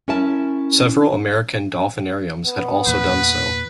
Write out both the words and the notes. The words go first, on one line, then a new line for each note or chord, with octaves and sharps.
Several American dolphinariums had also done so.
C#4 E4 A#4 E5 A5
B3
E2 A#2 B4